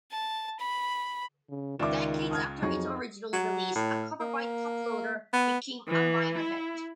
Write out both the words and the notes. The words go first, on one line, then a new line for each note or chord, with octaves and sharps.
Decades after its original release, a cover by Toploader became a minor hit.
A5
B5
C#3
C#2 D#3 F4 D5 E5 D6 E7
D#6 F6 G#6
F2 F#3 D#4 G#4 C#6
F#3
A2
A#3
B3
E3
E4